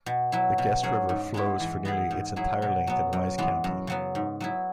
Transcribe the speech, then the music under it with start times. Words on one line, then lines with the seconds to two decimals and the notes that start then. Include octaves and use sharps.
The Guest River flows for nearly its entire length in Wise County.
0.06 B2
0.32 F#3 E4
0.58 B2
0.83 F#3 C#4 G#4
1.09 G#2
1.34 G#3 B3 E4
1.60 E3
1.85 B3 E4 G#4
2.11 G#2
2.36 F#3 E4 G#4
2.62 B2
2.87 F#3 B3
3.13 F#2
3.38 E3 G#3 B3
3.64 F#2
3.87 C#3 F#3 B3
4.15 G#2
4.40 F#3 B3 E4